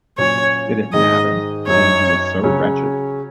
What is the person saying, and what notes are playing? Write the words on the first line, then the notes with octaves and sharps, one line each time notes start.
Did it matter, seeing he was so wretched?
A#2 F#3 C#4 C#5
G#2 D#3 G#3 D#5
F#2 F#3 D#4 C#5
C#3 F#3 C#4